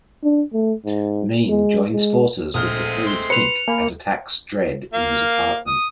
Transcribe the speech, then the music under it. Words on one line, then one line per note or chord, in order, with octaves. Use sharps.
Mean joins forces with the freed Fink and attacks Dredd in his apartment.
D4
A3
G#2
G#3
G#3
A#1 G#3 A3 C4 D#6 F6 G7
C6
B4 C#7 F7
A#3 G#5 B5
A#3 F5
D#6